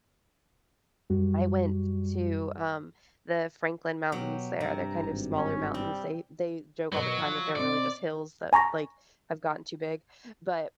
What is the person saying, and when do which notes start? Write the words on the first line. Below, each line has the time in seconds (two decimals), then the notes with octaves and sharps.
I went t to, um, the Franklin Mountains there, they're, kind of, smaller mountains, they they joke all the time that they're really just hills that, like, have gotten too big, but,
1.10 F#2 G3 F#4
4.12 B2 F#3 G4
4.60 G2 C3 A#5
5.00 G#1
5.37 C#4
5.74 G3 C4
6.92 B2 F#3 A#4 B4
7.19 F3
7.56 B2 C4 D5
8.53 G#5 A#5 C#6 A#6